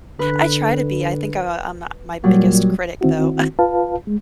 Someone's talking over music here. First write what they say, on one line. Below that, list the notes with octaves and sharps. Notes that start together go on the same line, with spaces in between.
I try to be, I think I I'm no my biggest critic, though.
D3 B4 F#6
A#2 F#3 G3
D#3 C4 E4 F#4
F4 B4 F5 A5
G#3